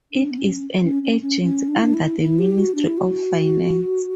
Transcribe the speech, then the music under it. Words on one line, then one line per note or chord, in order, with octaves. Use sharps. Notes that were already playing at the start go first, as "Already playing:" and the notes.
It is an agency under the Ministry of Finance.
D4
B3
C#4
C#4
C#4
C#4
C#4
D4
E4
D4
E4
E4
G4
F#4
D4
E4
F#4